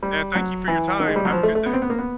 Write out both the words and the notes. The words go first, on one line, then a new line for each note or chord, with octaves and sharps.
And thank you for your time. Have a good day.
G3
F#3
E3
D#3
G#3
G3
F#3
F3
A3
A3
B3
C4
B3
A#3
B3